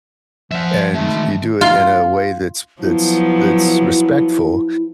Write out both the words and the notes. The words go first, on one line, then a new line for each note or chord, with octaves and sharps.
and you do it in a way that's that's that's respectful,
F3 E5 F#5
D#3 G#3 A3
F4
F3 F#3 B3 E4